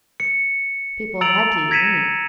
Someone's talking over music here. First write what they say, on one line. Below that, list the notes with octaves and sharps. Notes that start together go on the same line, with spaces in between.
People had to eat meat.
C#7
A#5 E6 A6 D7 F7 F#7
G#6 A#6 B6 C#7 D#7 E7